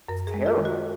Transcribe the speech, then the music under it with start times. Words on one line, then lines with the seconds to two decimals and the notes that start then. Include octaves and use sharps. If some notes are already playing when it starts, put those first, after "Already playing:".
it's terrible.
0.08 F#2 A#4
0.27 G#4
0.34 G#3
0.46 F4
0.58 D#3
0.65 F#4